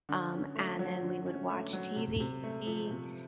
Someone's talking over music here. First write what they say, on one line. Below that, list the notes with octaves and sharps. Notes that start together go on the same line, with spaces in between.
um, and then we would watch TV, you
D3
C#4
A3
F#3
D3
C#4
A3
F#3
C3
C3
A3
F3
C3